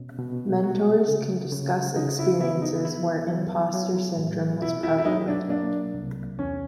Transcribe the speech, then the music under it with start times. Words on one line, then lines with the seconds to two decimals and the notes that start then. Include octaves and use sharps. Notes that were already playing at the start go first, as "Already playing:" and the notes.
Mentors can discuss experiences where impostor syndrome was prevalent.
Already playing: B2 C#4
0.19 B2
0.63 F#4
1.08 C#3
1.52 C#3
1.96 C#3 D#4
2.19 E4
2.40 B3 E4
2.62 D#4
2.85 E4
3.28 F#3
3.73 F#3
4.17 A2
4.61 B2 E4
4.83 E4
4.98 E4
5.05 F#3 D#4
5.28 D4
5.49 A#3 D4
5.94 C2
6.37 E2 C#4